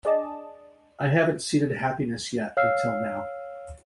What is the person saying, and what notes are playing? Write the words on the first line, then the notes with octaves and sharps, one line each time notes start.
I haven’t seeded happiness yet until now.
D4 G#4 D5 D#5 A5
C#5 F5 E6 F6 C7